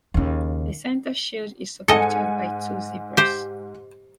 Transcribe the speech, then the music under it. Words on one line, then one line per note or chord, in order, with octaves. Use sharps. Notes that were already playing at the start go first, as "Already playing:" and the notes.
The centre shield is supported by two zebras.
D#2 C#3
G#2 A4 D#5 G#5 C#7
G4 C5